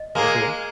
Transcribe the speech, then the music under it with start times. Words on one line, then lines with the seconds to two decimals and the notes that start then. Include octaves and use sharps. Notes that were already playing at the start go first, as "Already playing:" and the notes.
goes away.
Already playing: D#5
0.15 G#3 A#3